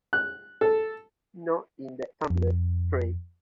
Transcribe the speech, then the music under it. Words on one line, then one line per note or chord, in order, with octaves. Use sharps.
Not in that tumbler, pray.
F#6
A4
F2